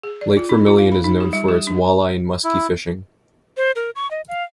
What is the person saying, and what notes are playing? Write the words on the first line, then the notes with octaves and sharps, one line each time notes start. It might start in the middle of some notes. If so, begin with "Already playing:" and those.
Lake Vermilion is known for its walleye and muskie fishing.
G#4
D5
F4
D#4
F4
F5
B5
D#4
G4
G3
G4
D4
E4
C5
A#4
C#6
D#5
F5